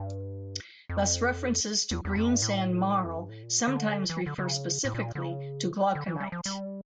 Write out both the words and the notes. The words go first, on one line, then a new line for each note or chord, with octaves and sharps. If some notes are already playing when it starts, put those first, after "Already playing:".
Thus references to "greensand marl" sometimes refer specifically to glauconite.
Already playing: G2
F2
E2
E2
F2
G2
A2
F2
G2
A2
A#2
D3
C#3
D3
E3
D3
D3
C#3
A2
A#2
D3
C#3
D3
E3
G3
F3
G3